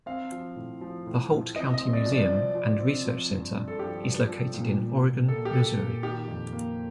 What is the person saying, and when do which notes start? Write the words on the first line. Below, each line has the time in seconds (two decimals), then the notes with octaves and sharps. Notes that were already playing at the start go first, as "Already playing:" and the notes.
The Holt County Museum and Research Center is located in Oregon, Missouri.
0.06 C4 F5
0.32 F3
0.56 A2
0.81 F3
1.06 A2
1.31 A2
1.55 C4 D#5
1.74 D#5
1.81 C4
1.93 D5
2.06 F3
2.12 D5
2.30 C3
2.55 F3
2.80 C4
3.05 F3
3.30 G2
3.54 G2
3.68 A4
3.79 F3 G4
4.04 F3
4.29 F3
4.54 A#2
4.78 A#2
5.03 A#2
5.28 A#3 A4
5.45 G4
5.53 A#2 A4
5.78 A#2
6.03 D#3 G4
6.28 F2
6.52 A#3